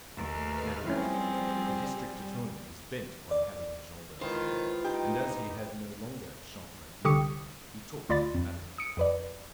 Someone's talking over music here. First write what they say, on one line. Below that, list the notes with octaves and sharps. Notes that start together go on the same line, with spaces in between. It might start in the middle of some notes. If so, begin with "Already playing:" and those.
Nevertheless, the district-attorney was bent on having a Jean Valjean; and as he had no longer Champmathieu, he took Madeleine.
D#2 A3 B4 F6
F3 G3 C4 C#4 E4 G#4
D5
D#3 G#3 E4 F4 B4 C5
D#4 G4
C2 D3 G4 C#6 D#6 C#7
D2 F4 D5 B5 A6
F2
D#6 C#7 D7
F2 B4 D5